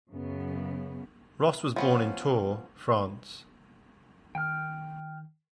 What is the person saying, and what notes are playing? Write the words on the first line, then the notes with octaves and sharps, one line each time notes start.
Ross was born in Tours, France.
F#2 C#3 B3
F3 B3 C#4
D#3 G5 F6